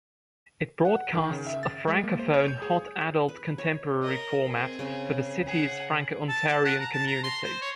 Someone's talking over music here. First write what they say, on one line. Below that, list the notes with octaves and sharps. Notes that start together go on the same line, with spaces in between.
It broadcasts a francophone hot adult contemporary format for the city's franco-ontarian community.
F#5
D#3
C#3
E5
A6
G#3
A#3
C5
C#5
G6
G#4
B4
C#5
A#4 D#5
C4 G#4
C#3 C#5 G#5
G#4 F#5
A5
A5
F#5
A#5
A5
A#5
C6
C5
C#5